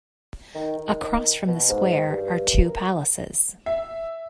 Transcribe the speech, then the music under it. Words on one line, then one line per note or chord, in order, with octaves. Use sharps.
Across from the square are two palaces.
D#3
D#3
B2
G#2
G2
A#4
E5